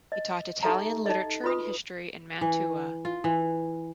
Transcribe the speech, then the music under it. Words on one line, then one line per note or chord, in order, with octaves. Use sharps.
He taught Italian literature and history in Mantua.
D#5
D#4 G4 A4 E5 A#5
D#4 A4 D#5
F4 F#4 B4 B5 D#6
E3
F4
E3